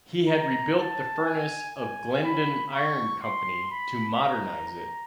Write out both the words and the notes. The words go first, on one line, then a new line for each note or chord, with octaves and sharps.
He had rebuilt the furnace of Glendon Iron Company to modernize it.
A#5
A5
G#5
G#5
B5
C#6
C6
B5
A#5
A#5